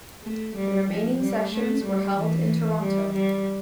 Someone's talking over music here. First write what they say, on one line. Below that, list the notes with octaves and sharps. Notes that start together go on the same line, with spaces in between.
The remaining sessions were held in Toronto.
A3
G3
F3
G3
A3
G3
E3
G3
G3